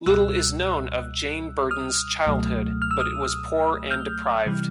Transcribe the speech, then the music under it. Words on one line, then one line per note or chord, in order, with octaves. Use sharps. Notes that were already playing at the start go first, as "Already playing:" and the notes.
Little is known of Jane Burden's childhood, but it was poor and deprived.
C#2 B2 G3 E6 F#6
D#6 F6
C#2 B2 F#3 A3
F6
E6
D#6 F6
F6 G6
C3 E3 G3